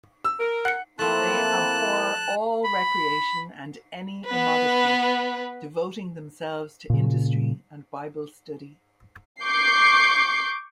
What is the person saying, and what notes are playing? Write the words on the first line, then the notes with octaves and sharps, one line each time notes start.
They abhor all recreation and any immodesty, devoting themselves to industry and bible study.
E6
A#4
F#5 F#6 C#7
F3 A3 A#3 C4 E4 A5 F#6
B5
B3 B4
A#2 C#3
C#6 D6 G6 C7